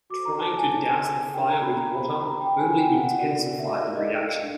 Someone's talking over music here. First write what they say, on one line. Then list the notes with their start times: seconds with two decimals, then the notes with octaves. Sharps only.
Trying to douse the fire with water only intensified the reaction.
0.10 F#4 A4 C5 D6
0.25 A#5
0.40 A5
0.57 G#5
0.70 D#4 G#4 C#5 A5
0.84 G#5
1.33 D4 G4 A#4 G5
1.49 A#5
1.62 B5
1.76 A#5
1.94 G4 C5 B5
2.10 B5
2.26 A#5
2.41 G5
2.56 E4 G4 A#4 G#5
2.66 G#5
2.72 G5
2.88 F#5
3.03 F#5
3.18 D#4 F#4 A#4 D5
3.59 E5
3.69 D#5
3.80 G4 A#4 D5 F5
3.96 D#5
4.41 D4